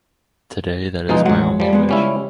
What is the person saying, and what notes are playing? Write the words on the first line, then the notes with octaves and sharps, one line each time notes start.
Today that is my only wish.
C#2 B2 F3 G#3 D#4
A1 F#3 G#3 F#5
F3 G3
G#3 B3
C#2 G3 C#4 E4